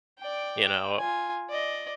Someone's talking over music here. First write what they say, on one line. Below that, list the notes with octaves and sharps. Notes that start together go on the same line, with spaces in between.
you know?
D5 G5
G5
F4 G#5
D5 D#5